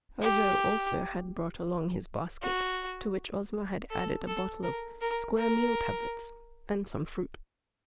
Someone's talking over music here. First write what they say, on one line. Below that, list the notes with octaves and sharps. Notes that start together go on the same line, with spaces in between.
Ojo also had brought along his basket, to which Ozma had added a bottle of "Square Meal Tablets" and some fruit.
G4
F#4
A4
A4
A#4
A#4
A#4